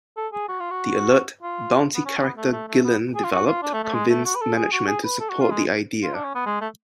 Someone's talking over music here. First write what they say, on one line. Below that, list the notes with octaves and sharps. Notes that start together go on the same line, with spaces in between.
The alert, bouncy character Gillen developed convinced management to support the idea.
A4
G#4
F#4
F4
F#4
F4
B3
C#4
C#4
B3
A3
A3
A3
B3
G#4
F4
F#4
F4
D4
A3
A3
G#3
A3
F#4
B4
A4
G#4
F#4
G#4
B4
A4
F#4
F4
G#3
F4
D4
C#4
B3
G#3
A3